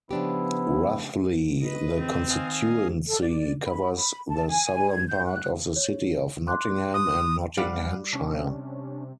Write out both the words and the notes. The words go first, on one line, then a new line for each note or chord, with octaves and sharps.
Roughly, the constituency covers the southern part of the City of Nottingham in Nottinghamshire.
C#3 F3 B3 D4 E4 G4
B4 D#5
C4
D#3 D#5 F5 G#5
A4
D5
B5
B5
A5
G#5
G#6
G6
F#6
C#5
C6 D6 F#6
D#6
G3 F5 F#5
C3 C#4 D4